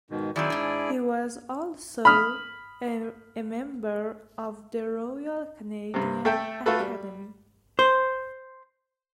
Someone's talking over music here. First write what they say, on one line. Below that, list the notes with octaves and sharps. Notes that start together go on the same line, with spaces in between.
He was also a member of the Royal Canadian Academy.
G#2 B2 D#3
D#3 F#3 C4 E4 G#4 D5
G#2 D4
B5 D#6 F6
G2 C3
A3 A4 E5 G5
A3 F4 F#4 A4 B4
G3
C5